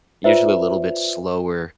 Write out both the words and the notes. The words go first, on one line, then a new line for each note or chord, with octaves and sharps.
Usually a little bit slower,
F4 B4 C5 D5 E5